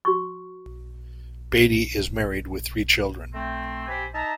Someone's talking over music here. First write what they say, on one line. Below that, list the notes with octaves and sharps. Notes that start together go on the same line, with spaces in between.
Beattie is married with three children.
F#4 C#6
A3 C4
C3 C4 G4 C5 G#5 B5
D#4 E5 A5 A#5